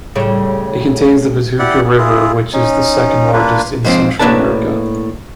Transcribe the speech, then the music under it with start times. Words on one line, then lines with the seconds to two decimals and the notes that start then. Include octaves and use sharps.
It contains the Patuca River which is the second largest in Central America.
0.16 A2 C#3 G3
1.59 E4 G4 D5 F#5
1.84 B3
1.98 E4 F4 G#4
2.53 C#4 D#4
3.33 A#3 D4 F4 B4
3.85 G#2 F3 C4
4.19 A2 A#3 C4 D4 B4 A5